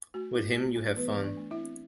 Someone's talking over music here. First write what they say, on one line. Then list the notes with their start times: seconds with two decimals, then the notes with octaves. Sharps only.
With him, you have fun.
0.14 A3 F#4
0.34 E4
0.55 A3 F#4
0.75 A3 E4 A4
0.96 E3 B3 B4
1.16 E3
1.24 D4 D5
1.37 A3
1.51 E4 E5
1.58 C4